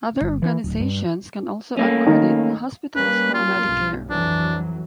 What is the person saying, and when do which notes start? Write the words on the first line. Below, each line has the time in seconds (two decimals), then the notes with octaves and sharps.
Other organizations can also accredit hospitals for Medicare.
0.21 G1
0.42 E3
0.64 D1
0.80 G2
1.77 A3 A#3 C#4
2.06 D#3
2.96 G3 A#3 C#4 B4
3.34 F4
3.65 B1 G2
4.10 F2 E3 F#3 D4